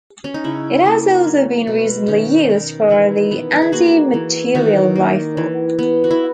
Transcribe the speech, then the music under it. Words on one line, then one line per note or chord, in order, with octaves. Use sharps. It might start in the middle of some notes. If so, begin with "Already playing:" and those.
It has also been recently used for the anti-materiel rifle.
C#4
D#4
C#3 E4
A#3
F#3
B2
D#3 C#4
D#3
E3 E4
B3
G#4
A#3 F#4
E3
D#3 F#4
A#3
E3
B3
F#4
E4